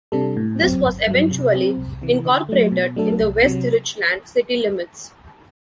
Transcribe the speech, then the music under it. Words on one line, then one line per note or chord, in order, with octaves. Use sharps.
This was eventually incorporated in the West Richland City limits.
C3 G3 D4 A4
A2
F#3 C4
G1
G2 F#3
C3
F#3 C4
C2
C3 E3
D3
F#3 A3
B2
F#3 A3 D4 A4
C2
C3 F#3